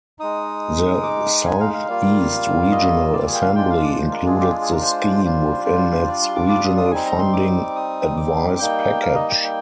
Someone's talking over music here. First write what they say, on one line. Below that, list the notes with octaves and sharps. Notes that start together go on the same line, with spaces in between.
The South East Regional Assembly included the scheme within its Regional Funding Advice package.
G#3 D#4 D#6
D6
G#5
F5
F5
G3 A#3 F4
D#5
D5
G#4
G5
F5
G#3 D4 F4 G5
F5
D5
C5
A#4
G#4
G4
G#4
G#4
A#4
C5
G3 D4 F4
C5
D5
C6
D6
D6
D#6
D#6
G3 C4 D#4 G#5
A#5
C6
D6
D#6
D6
G3 A#3 D#4 G5
F5
D#5
G5
G5